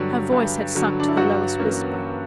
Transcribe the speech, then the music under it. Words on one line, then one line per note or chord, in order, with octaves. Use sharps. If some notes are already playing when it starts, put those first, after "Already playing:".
Her voice had sunk to the lowest whisper.
Already playing: G2 D3 F#3 G3
G2
D3 F#3
D4
E4
G2 F#3 F#4
E3 A#3 C#4